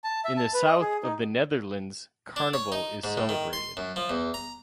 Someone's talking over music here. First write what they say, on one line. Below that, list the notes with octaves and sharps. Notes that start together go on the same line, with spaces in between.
In the south of the Netherlands carnival is celebrated.
A5
E5
A5
B4
D#5
G#4
D#4
D4
C#5
D#4
G#2
A2
D#3
C6
F#2
F3
E2
A#5